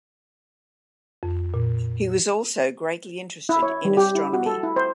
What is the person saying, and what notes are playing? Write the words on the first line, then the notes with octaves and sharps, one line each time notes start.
He was also greatly interested in astronomy.
F2
A#2
E4
C#5
G3
G4
E4
F#4
A4
E4
C5